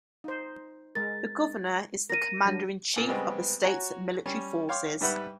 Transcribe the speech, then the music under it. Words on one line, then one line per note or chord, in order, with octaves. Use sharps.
The governor is the commander-in-chief of the state's military forces.
D#4 C5
G#3 A#4 A6
A#4 A#6 D#7
F#3 D4
C#2 A#2
C#3 G3 G#3 B3 C4
F#4 C#5 G#5 A#5
G3 C#4
C#5 F5 G5 C6 D6
G#2 G3 B4 E5 F#5 G5